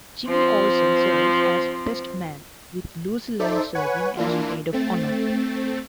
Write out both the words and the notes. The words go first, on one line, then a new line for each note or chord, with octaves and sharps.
Jimmy Olsen serves as best man, with Lucy Lane serving as maid of honor.
F3 C4
D#4 A4 C5 D5 E5
B4 C#5 F#5 G#5
E3 A#3 D4 F4
A3 C4 A6